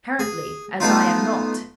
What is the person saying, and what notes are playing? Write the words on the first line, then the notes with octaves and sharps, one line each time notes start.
"Apparently--as I am not."
G#4
A3 B3 D#4 F4